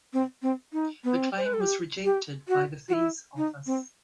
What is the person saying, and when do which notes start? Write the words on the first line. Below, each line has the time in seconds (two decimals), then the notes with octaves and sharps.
The claim was rejected by the Fees Office.
0.13 C4
0.42 C4
0.73 D#4
1.04 B3
1.16 C4
1.37 C5
1.46 B4
1.54 A4
1.61 G4
2.05 G4
2.48 F#4
2.89 F#4
2.93 E4
3.37 D#4
3.66 C4